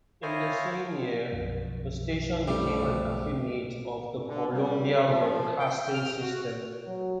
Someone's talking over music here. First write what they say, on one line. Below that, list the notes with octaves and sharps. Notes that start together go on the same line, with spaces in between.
In the same year, the station became an affiliate of the Columbia Broadcasting System.
E4 F4 C5 C#5 D#5 G#5
B1 F#2 F3
F2 G3 A3
D3
G3
F3
G5
F6
F#4
F#3